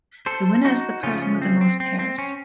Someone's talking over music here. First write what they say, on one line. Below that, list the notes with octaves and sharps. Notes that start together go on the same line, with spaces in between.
The winner is the person with the most pairs.
A4 C5
D#4 F#4
C#3 F3 A3 C#4 F4
C#4
C4
C4
C4
C4
C#4